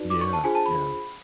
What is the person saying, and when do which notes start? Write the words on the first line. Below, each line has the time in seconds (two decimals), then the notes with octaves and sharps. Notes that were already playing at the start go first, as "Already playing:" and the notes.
Yeah. Yeah.
Already playing: D#4 F#4 B4 D5
0.10 D6
0.21 C#6
0.33 A5
0.43 D4 F4 G#4 C5 G#5
0.55 A5
0.66 B5